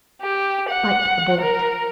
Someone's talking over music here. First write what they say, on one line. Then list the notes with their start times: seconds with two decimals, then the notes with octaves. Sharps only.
Bite the bullet.
0.22 G4
0.69 F#5
1.41 A#4